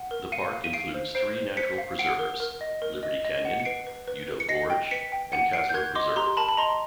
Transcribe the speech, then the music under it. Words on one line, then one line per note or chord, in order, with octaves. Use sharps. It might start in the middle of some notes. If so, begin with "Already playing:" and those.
The park includes three natural preserves: Liberty Canyon, Udell Gorge, and Kaslow Preserve.
Already playing: F#5
A#4
F5 C#7 D#7
F5
D#7
F5 C7 D7
C5
C5 C7 D7
C5
C5 B6 C#7
F5
F#5 C7 D7
A#4
A#4
D#5
A#4
D#5
D#5
F#5
C#7
B4 C7 D7
B4
B4
B4
C#7
D#5 A#6 C7
G5
B4 B6 C#7
G5
F#5 C#7 D#7
F#5 C7 D7
G6
A#4 F#6 G#6
D#5 C6 D6
G4 A#5 C6
A#4 A5 B5
B5
D#5 A#5 C6